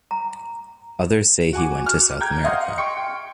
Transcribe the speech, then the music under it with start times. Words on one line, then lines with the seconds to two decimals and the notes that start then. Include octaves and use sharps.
Others say he went to South America.
0.11 A#5
1.53 F#4 G#5 D6
1.86 F6
2.20 G5 A#5 G6 G#6
2.44 D#5 F5 F#5 C6 F6
2.78 G5 C6 C#6 C#7
2.97 G5